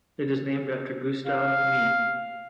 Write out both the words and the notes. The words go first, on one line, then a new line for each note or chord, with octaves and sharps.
It is named after Gustav Mie.
F5